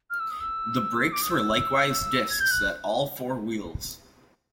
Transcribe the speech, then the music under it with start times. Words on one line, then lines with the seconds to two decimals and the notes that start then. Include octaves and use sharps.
The brakes were likewise disks at all four wheels.
0.10 F6
0.19 E6
0.30 D#6
0.40 E6
1.12 D6
1.21 D#6
1.29 E6
2.30 G#6
2.40 G6
2.50 F#6